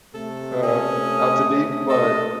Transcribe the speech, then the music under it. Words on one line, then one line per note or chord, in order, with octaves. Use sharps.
uh, out to be, but
C3 A3 A4
C#4 D#6
A4 D#5